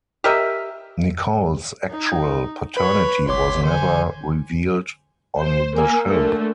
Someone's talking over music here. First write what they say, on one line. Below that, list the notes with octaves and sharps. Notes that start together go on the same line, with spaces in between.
Nicole's actual paternity was never revealed on the show.
G4 A#4 D#5 E5
D#4
B4 C#5 B5
G1 C#5 C6 D6 B6
D3 C5 G#5
C5
A#3 G#5
D3 A3 A#4